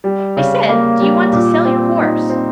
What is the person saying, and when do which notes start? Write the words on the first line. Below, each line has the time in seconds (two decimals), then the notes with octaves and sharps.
"I said, do you want to sell your horse?"
0.04 G3
0.37 C#3
0.69 A#3
1.01 G3
1.33 A#2
1.65 C4
1.98 D#4
2.30 C4